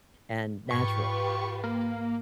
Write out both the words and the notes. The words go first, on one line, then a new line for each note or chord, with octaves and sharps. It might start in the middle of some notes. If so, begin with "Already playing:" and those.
and natural,
G#2 F4 G4 B4 C#6 G#6
A#3